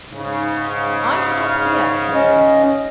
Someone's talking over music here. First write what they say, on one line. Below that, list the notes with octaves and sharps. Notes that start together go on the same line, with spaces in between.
'I stop here!' said his mother.
G#2 C#3
F6
C#4 D#5